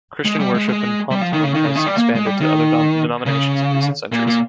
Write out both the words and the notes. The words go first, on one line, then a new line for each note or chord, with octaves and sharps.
Christian worship in Ponteland has expanded to other denominations in recent centuries.
G#3
G3
G#3
G#3
G3
F3
D#3
C#3
D#3
C#3
D#3
G3
A#3
G#3
G3
D#3
C#3
A#2
A#2